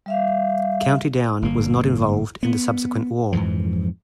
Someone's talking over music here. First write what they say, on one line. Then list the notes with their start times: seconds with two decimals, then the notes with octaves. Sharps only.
County Down was not involved in the subsequent war.
0.06 G3 E5 F5
1.42 G1 A#3
2.43 B3
3.33 F2 G#2 E3 F3